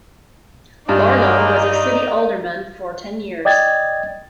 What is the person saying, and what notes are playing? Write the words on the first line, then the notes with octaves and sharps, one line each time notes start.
Barlow was a city alderman for ten years.
G2 G#3 A#3 D#4 D5
D5 D#5 G5 G#6 A6